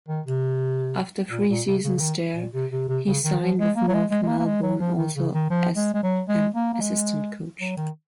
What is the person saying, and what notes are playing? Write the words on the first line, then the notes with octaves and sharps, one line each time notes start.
After three seasons there, he signed with North Melbourne, also as an assistant coach.
D#3
C3
A#2
A#2
C3
C#3
C#3
D#3
A#2
C3
C3
C3
C#3
D#3
F3
G#3
A#3
F#3
G#3
G#3
G#3
A#3
A#3
G#3
F#3
F3
D#3
C#3
D#3
F3
G#3
G#3
F#3
G#3
A#3
A#3
G#3
F#3
D#3